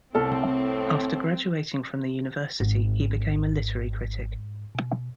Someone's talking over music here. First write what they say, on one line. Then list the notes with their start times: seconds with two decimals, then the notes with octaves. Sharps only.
After graduating from the university, he became a literary critic.
0.14 C2 A2 C4 A4 F6
2.60 G#1 G#2
4.75 B2